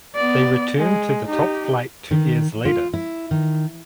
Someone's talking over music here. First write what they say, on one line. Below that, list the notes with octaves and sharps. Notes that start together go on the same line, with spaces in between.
They returned to the top flight two years later.
B3 D5
G#3
D#4 G4
D#3
F4
E4
D#3